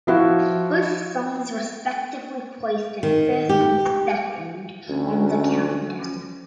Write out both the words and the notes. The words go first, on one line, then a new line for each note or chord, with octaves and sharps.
Both songs respectively placed in first and second on the countdown.
F3 E4 F#4
D#3
G4
D2 C#4